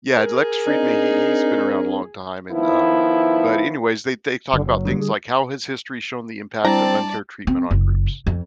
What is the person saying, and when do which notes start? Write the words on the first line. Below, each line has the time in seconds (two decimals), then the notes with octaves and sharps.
Yeah, Lex Friedman, he he's been around a long time and, um b but anyways, they they talk about things like how has history shown the impact of unfair treatment on groups.
0.17 G#4 A#4
0.67 C4 D4 D#4
2.51 D#3 F3 B3 E4
4.53 F#1 D3
4.66 F#3
4.85 D3 G3
4.98 G#4
6.65 G3 C4 D4 E4 D5 A5 A#5
7.47 C4
7.71 F#1
8.27 F2